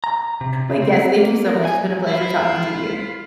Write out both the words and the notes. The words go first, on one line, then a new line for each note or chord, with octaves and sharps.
but, yes, thank you so much. It's been a pleasure talking to you.
A#5
C3
C#3
C4
A#3
A#4
G#5
E4 F4